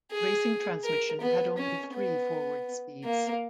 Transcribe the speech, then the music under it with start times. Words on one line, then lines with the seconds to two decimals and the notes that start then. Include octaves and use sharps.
Racing transmission had only three forward speeds.
0.11 G#4
0.84 A#4
1.21 B3
1.58 C#4
1.94 B3
3.04 A#3